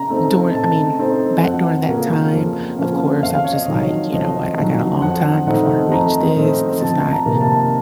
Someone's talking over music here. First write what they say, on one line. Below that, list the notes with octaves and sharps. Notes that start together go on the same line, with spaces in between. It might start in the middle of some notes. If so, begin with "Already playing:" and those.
during I mean, back during that time, of course, I was just like, "You know what, I got a long time before I reach this, this is not
Already playing: C#3 A#5
A3 C4 D#4
C#3 A5
A3 C4 D#4
F2 F#5
C#3 F3 A#3 C#4
F2
C#3 F3 A#3 C#4
F2 F5
C#5
D#5
D#3 F#3
C#5
F2 D#5
D#3 F#3
F2 F#5
D#3 A3 C4 D#4 F#5
F2 A#5
D#3 A3 C4 D#4
F2 A5
A#5
C3 D#3 A#3 D#4
A5